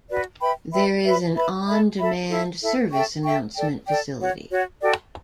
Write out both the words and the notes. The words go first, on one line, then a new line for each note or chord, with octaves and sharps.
There is an on-demand service announcement facility.
F#4 B4 D5
B4 E5 G5 B5
B4 E5 G5 B5
B4 E5 B5
B4 E5 B5
A4 E5 B5
A4 E5 B5
E4 A4 E5
E4 A4 E5
A4 E5 G5 C#6
A4 E5 G5 C#6
A4 D5 G5
A4 D5 G5
F#4 C#5 F#5
F#4 C#5 F#5
F#4 A4 D5 G5